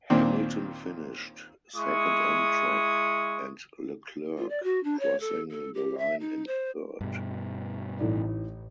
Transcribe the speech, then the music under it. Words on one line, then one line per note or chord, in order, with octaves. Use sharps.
Hamilton finished second on track and Leclerc crossing the line in third.
D#2 A#2 D#3 C4 D4
G#3 E4 C#6 D#6
F4
D5
F#4
D4
C#5
A4
A4
G4
E5
D#4
C5
G2 B2
A1 A2 D#4 D5